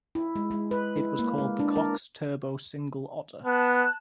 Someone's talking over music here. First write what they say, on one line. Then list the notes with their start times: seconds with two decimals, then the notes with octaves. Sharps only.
It was called the Cox Turbo Single Otter.
0.15 E4
0.36 G#3
0.51 G#3
0.71 B4
0.97 E4
1.19 A#3
1.38 G#3
1.59 D4
1.76 A#4
3.45 B3 A5 F#6